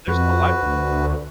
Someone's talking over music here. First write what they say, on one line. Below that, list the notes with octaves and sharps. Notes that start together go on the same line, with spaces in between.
there's no lifeguard.
F2 F#4 B4
D2